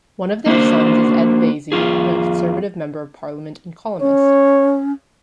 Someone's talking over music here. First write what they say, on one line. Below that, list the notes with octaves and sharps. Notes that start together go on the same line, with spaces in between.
One of their sons is Ed Vaizey, the Conservative Member of Parliament and columnist.
A#3 D4 F#4 C5
F2 F4 G#4
C#4 C#5